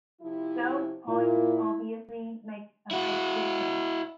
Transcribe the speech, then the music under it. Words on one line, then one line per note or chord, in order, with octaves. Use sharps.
Those points obviously make a big difference.
C3 F3 E4
A#2 E4
E4 F#4